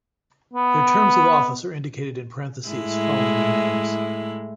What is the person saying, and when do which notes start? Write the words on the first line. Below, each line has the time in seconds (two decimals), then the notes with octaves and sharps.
Their terms of office are indicated in parenthesis following their names.
0.53 B3
2.69 A2 G#3 E4